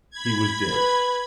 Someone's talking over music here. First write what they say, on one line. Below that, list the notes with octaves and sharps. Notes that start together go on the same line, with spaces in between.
He was dead!
B5 G#6
B4